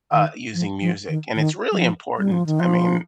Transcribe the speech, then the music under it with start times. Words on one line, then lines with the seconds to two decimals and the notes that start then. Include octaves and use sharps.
uh, using music. And it's really important, I mean
0.12 D#3
0.54 F3
0.81 F3
1.09 D#3
1.36 D#3
1.72 G3
1.77 F3
2.18 G3
2.32 F3
2.46 D#3
2.60 F3